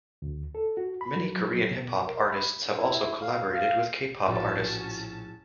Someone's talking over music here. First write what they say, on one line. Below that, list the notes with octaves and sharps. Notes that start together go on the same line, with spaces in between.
Many Korean hip hop artists have also collaborated with K-pop artists.
D2
A4
F#4
B5
F#3
B2
A#4
B5
E4
F5
F5
A#1 A2 C#4 F#4 A5